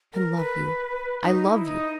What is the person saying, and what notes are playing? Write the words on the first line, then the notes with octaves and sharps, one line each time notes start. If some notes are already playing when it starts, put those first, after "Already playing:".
I love you--I love you!
A#4
B4
D#4
E4
D#4